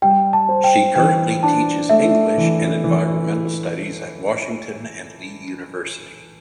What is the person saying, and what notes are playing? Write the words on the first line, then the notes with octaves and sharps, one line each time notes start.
She currently teaches English and Environmental Studies at Washington and Lee University.
G3 G5
A5
C5
G5
E3 G5
D4 A5
A3 E5
E3
E3